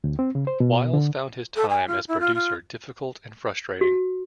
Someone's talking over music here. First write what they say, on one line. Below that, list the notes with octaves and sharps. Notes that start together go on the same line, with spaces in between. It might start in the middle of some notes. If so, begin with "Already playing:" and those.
Wiles found his time as producer difficult and frustrating.
D2
C4
C#3
C5
B2
D3
A4
G#5
F4
E4
F4
F4
F#4